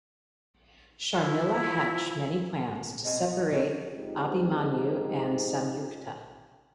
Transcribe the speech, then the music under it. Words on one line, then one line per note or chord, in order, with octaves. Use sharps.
Sharmila hatch many plans to separate Abhimanyu and Samyukta.
F3 E4
B2 B3 C4 D5 G#5
D#4
D#2 D3 C4 F4 C#5
G#2 G#3 C4 D#4 F4 G4